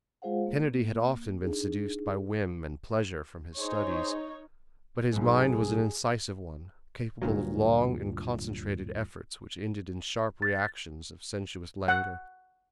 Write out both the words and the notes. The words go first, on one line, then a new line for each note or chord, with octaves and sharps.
Kennedy had often been seduced by whim and pleasure from his studies, but his mind was an incisive one, capable of long and concentrated efforts which ended in sharp reactions of sensuous languor.
G#3 F4 G#4 C5 F5 F#5
A#3
D4 D#4 G#4
D#4 G#4 C5 C#5
B1 G#2 G#4
D2 G2 A#2 F#3
A6
F#5